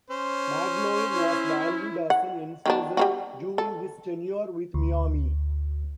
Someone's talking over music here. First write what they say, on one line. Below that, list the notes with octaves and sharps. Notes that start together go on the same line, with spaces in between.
Magloire was valued as an enforcer during his tenure with Miami.
C#4 C5
E4
F#5
D#3 B3 D4
G3 F4 F#4
A4
D2